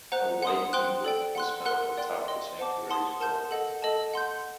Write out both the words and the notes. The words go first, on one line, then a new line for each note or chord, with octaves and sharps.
A white eagle was found atop the sanctuary's vault.
C5 F#5 A#5 F#6
F#5 C6 D#6
C5 G5 C6 F#6
A4 D5 G5
F#5 C6 F#6
A#4 F#5 C6 F#6
D5 G5 C6 F#6
D#5 G5 C6
C5 F#5 A5 D6
F#5 A5 C6 D#6
A#4 F#5 A5 C6 G6
A4 D#5 F#5
A4 D#5 A5
F#5 C6 G6